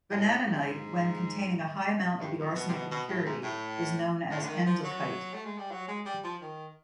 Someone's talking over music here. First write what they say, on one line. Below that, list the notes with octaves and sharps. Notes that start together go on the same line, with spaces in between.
Vanadinite when containing a high amount of the arsenic impurity is known as endlichite.
A2
G#2
G2
F2
B2
C3
B2
B2
A2
G#2
A2
A2
D3
D#3
F3
F#3
A3
G#3
G3
F#3
G#3
G3
F3
D#3